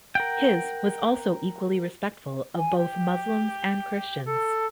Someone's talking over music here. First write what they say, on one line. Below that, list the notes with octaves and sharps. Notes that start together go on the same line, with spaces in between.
His was also equally respectful of both Muslims and Christians.
A#4 F#5 G5
G#5
G4
A4